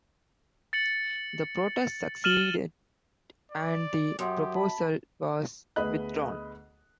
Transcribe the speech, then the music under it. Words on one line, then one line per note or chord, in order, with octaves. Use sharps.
The protest succeeded and the proposal was withdrawn.
A6 C#7 F#7
F6 A6 D#7 E7 F#7 G7
D5
F#2 G4 F#5 C6 D#6
A5 B5
D2 B3 G#4 D#5 B5 F#6